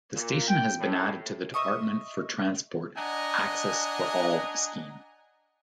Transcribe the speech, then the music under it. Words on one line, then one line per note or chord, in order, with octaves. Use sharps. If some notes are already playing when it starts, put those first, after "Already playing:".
The station has been added to the Department for Transport "Access for All" scheme.
A#2
G5
A2
D#5 E5 C#6 D#6
D4 D#5 F#5 G#5 A#5